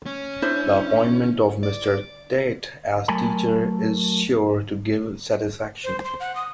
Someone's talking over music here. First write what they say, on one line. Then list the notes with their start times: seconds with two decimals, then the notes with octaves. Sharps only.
The appointment of Mr. Tait as teacher is sure to give satisfaction.
0.06 C#4
0.42 D4 E4 C5
1.63 D5
3.08 F#3 A3 A#4 G#5 A5 B5
5.84 C5
6.04 C6
6.20 F#5
6.36 D#6